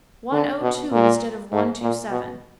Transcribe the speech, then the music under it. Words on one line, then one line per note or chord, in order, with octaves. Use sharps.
One O Two instead of One Two Seven.
D3
B2
A#2
G#2
A#2
B2